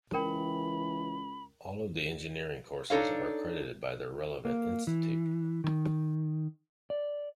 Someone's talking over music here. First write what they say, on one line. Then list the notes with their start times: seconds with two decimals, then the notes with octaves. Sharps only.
All of the engineering courses are accredited by their relevant institute.
0.13 C#2 E3 A#4 G5 B5
2.90 D4 D#4 A4 C#5 F5
4.45 A#3
4.87 E3
5.64 D#3
6.90 D5